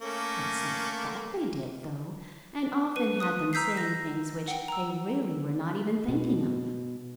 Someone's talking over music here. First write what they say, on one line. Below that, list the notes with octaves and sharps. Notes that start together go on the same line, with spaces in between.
Marcella thought they did, though, and often had them saying things which they really were not even thinking of.
A3 A#3 C#4
B4 D#7
D#6 F#6 D#7
A#5 E6 G6 B6 C7
A#6
F#5 G5
A#5 E6
B2